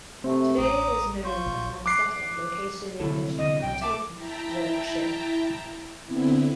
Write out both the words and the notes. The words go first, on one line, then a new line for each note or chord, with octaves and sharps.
Today it is known as Mancetter, located in the English county of Warwickshire.
C3 A3 C4
A1 A#5 D6 D#6
F4 C#6 G6
A#1
D6 F#6 C7
C2 D3 E4 A4
D3 B3 D#5
C2 G5
E5 A5 D6
E4 E5 G5 A5 A#5
D3 B3 C4 E4